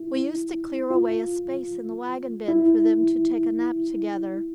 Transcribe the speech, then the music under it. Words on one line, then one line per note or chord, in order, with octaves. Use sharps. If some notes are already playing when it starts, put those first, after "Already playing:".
We used to clear away a space in the wagon bed for them to take a nap together.
Already playing: E4
F4
E4